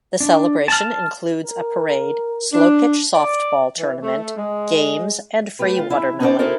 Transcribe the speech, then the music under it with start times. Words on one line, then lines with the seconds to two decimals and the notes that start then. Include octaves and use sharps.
The celebration includes a parade, slow pitch softball tournament, games and free watermelon.
0.20 D4
0.68 A5 F6
1.45 A#4
2.53 D4
3.14 D5
3.78 E3
4.03 A3
4.37 G#3
5.59 A3 G4 B4
5.79 F4
5.90 E3 E4
6.20 C#4 D#4 F#4 B4 C5 D5
6.39 D#4 E4 F#4 A4 A#4 C5